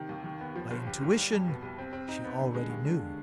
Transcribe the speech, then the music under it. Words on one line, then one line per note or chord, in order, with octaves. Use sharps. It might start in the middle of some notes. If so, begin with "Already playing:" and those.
By intuition, she already knew.
Already playing: C3 D#3
D#2
D#3
B3
F3
G1
G4
G#2
G3
F2
B2
C2
C4
C4
D#4
B3
D3
G#3
D#2
D3